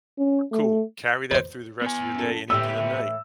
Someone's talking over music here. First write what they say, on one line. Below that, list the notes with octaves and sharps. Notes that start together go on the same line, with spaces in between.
Cool, carry that through the rest of your day and into the night,
C#4
A3
B4 C5
B3 G#5
F#2 A4
A2 E3 B3 G4 E6